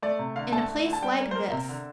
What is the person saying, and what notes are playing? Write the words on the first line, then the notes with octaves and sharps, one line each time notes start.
"In a place like this."
A3 D5
C3
D3 F5
A3 A5
A3
D3
A5
G3 G5
A#3
C5
A#3 A#4
C3
D3